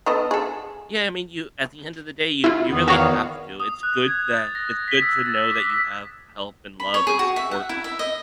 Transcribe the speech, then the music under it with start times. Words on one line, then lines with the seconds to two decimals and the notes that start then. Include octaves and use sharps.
Yeah, I mean, you at the end of the day, you you really have to, it's good that it's good to know that you have help and love and support,
0.06 B3 A4 D#5
0.31 G#4 A4
2.44 E4 F4
2.69 E2 D#3 B3
2.88 F#4 C#5 F5
3.60 D#6
3.83 F#6
4.08 G#6
4.35 A6
4.55 A#6
4.88 B6
5.02 E6
5.26 A6
5.51 D6
5.70 B6
6.80 B5
6.94 C#5
7.07 G#4
7.19 F#4
7.36 E5
7.51 F#5
7.69 E4
7.84 E5
7.99 D#5